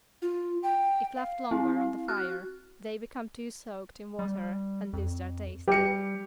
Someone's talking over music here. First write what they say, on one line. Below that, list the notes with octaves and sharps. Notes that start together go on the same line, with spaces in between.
If left longer on the fire they become too soaked in water and lose their taste.
F4
G5
F5
C4 E4
F#4 F6 F#6
G3
F2
G3 G4 C#7